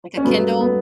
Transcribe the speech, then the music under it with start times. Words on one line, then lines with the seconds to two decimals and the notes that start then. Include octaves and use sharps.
Like a Kindle?
0.17 C#4
0.24 G2 F#3 A3 B3
0.61 B3